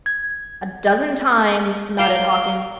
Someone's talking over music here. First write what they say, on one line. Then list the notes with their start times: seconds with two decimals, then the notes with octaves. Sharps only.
"A dozen times," nodded Hawkins.
0.06 G#6
1.98 F4 A#4 F5 A5 C6 D6